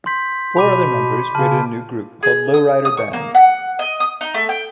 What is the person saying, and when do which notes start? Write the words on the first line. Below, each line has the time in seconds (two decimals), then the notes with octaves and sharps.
Four other members created a new group called Lowrider Band.
0.06 C6 G6 B6
0.57 B2 B5 D6 D#7
1.35 C#3 A5 F6
2.23 G#4
2.54 D#6
2.85 D#6
2.97 C#6
3.13 A#3
3.35 F#5
3.79 D#5
4.00 D#6
4.21 D#4
4.34 A3
4.49 G5